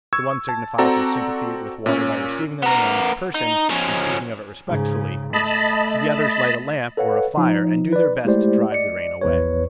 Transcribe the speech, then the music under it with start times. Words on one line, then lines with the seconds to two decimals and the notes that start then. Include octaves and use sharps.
The one signifies his sympathy with water by receiving the rain on his person and speaking of it respectfully; the others light a lamp or a fire and do their best to drive the rain away.
0.13 C#6 E6 G#6
0.49 A5
0.78 C4 F#4 A4 D5 A#5
1.86 A#2 C#4
2.62 B3 A#4
3.35 D#4
3.70 F3 C#4
4.67 G#2 C#3
5.33 A3 D#5 A5 B5
6.97 A4 B4 C#5 F5 F#5
7.37 F3 D#4
7.93 B4 D5
8.25 G#3 A3 E4 G4 C5 D5
8.72 D5 D#5 C#7
9.21 A#1 E2 B4 C#5